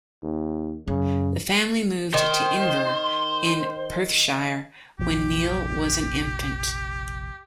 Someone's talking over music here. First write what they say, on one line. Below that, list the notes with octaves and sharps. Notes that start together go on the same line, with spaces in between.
The family moved to Inver in Perthshire when Niel was an infant.
D#2
F#2 C#3
D#3 C5
F1 A#1 F3 G4